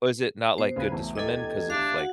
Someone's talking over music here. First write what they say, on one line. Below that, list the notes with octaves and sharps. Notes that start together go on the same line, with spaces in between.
Was it not, like, good to swim in 'cause of, like,
B2 C5
D2 C#3 B4 G#5
B1 E2 A3
D2 G4 A4 D#5 G#6
D4 E5 F5
F#4 F#5